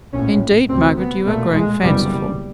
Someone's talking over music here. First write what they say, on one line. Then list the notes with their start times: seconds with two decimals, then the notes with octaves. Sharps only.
'Indeed, Margaret, you are growing fanciful!
0.12 A#1 A2 C#4
0.69 D2 C3 C4
0.97 B3
1.25 B1 A#2 A3
1.54 G#3
1.82 F#1 E2 C3 G3